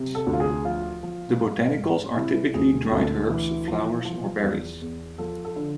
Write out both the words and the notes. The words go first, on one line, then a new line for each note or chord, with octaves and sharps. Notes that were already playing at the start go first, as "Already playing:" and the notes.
The botanicals are typically dried herbs, flowers or berries.
Already playing: C3
A4
D2
F4
G#4
F3 F4
F3
G#2
G#2
C3 E4
D2 G#4
D2 A4
E3
F3
F3
E2
E2
F3 A4
A4
D3